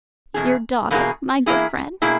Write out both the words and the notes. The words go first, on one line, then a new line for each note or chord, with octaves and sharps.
"Your daughter, my good friend?"
E2 B2 G#4
E2 B2 A#3 E4 G#4
E2 B2 A#3 E4 G#4
B2 A#3 E4 G#4